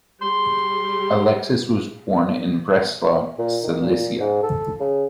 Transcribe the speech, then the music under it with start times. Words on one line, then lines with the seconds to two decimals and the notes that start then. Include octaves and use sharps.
Alexis was born in Breslau, Silesia.
0.22 G3 G4 G#4 C6
3.39 A#2
3.63 D#3
3.82 A#2
4.20 G#2
4.43 A4
4.80 C#3